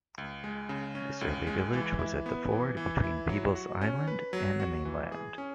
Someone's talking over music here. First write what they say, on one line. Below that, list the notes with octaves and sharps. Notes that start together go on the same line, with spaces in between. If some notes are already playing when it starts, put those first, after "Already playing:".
This early village was at the ford between Peebles Island and the mainland.
C#2
G#3
C#3
C#4
C#2
G#3
E3
E4
B3
E3
E3
E4
F#3
F#4
C#4
B4
F#3
F#4
E3
G#4
C#4